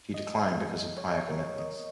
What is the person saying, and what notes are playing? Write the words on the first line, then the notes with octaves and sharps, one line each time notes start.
She declined because of prior commitments.
D#5
C#5
D#5
C#5
A#4
C#5
D#5